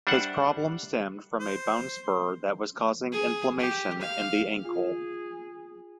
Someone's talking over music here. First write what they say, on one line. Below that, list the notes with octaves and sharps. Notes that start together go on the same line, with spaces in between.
His problems stemmed from a bone spur that was causing inflammation in the ankle.
G3 D4 C5 E5 F#5
C5
G#4
G4
F5
F4 G#4